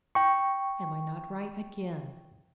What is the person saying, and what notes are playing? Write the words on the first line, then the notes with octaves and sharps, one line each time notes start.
Am I not right again?
G5 C#6